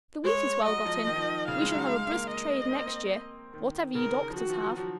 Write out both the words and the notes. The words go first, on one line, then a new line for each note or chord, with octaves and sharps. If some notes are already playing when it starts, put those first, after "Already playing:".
If the wheat is well got in, we shall have a brisk trade next year, whatever you doctors have.'
G#3 C#5
F#3 D#5
F3
D#3
F3
D#3
C#3 F5
G#3
F#3
G#3
A#3
D#5
C4
A#3
C4
D#3
D#3
C#3 A#4
F3
D#3 F#4
F3
F#3
F3